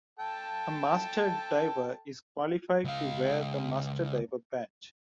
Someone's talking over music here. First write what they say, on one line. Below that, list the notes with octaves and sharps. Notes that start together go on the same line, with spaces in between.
A master diver is qualified to wear the master diver badge.
A4 G5 A5
C#2 F5